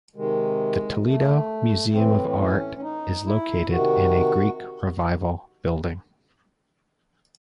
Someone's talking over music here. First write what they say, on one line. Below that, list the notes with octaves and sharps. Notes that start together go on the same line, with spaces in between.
The Toledo Museum of Art is located in a Greek Revival building.
C3 D#3 G#3
A3
A2 E3 C4
C4
C#4
C#4
D#4
E4
C3 D#3 F#4